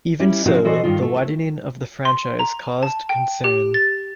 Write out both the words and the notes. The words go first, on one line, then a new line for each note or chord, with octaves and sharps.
Even so, the widening of the franchise caused concern.
G3 C#4 E4
A#2 C#3 F3 C4 E4 F#4
E3 F#4 A4 C5 D5 D#5
G2 D#3 F4
A3
C6
A#5
A5
G5
G4
A6